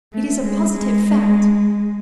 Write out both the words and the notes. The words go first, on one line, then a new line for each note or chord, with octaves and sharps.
It is a positive fact!
A3
G#3
G#3